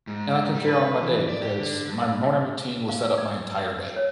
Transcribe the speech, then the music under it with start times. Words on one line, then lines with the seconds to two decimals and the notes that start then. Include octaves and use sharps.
and I can carry on my day because my morning routine will set up my entire day.
0.07 G#2
0.54 G3
0.67 B4
1.02 E3
1.29 D5
1.42 G4
1.60 D3
1.89 G2
2.89 F5
3.18 D5
3.96 C#5